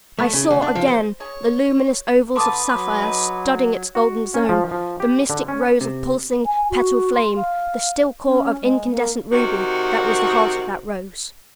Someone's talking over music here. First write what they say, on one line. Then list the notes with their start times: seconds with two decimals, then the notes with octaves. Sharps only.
I saw again the luminous ovals of sapphire, studding its golden zone, the mystic rose of pulsing, petal flame, the still core of incandescent ruby that was the heart of that rose.
0.19 A3
0.33 C#3
0.50 D2
0.62 D4
0.75 F3
0.88 C5
1.20 G#4 C#5
2.36 D3 A4 B4 A5 C6 D6 D#6
2.71 F#3
3.00 D#4 G#4
3.95 F#4
4.34 C#4
4.49 F3
4.71 F3
5.00 G4
5.30 D3
5.48 C#4
5.81 C3
6.46 G#5
6.70 F#4
7.14 C6
7.36 F5
8.25 C#4
8.61 G#3
8.90 A#3
9.32 C3 D#3 F#4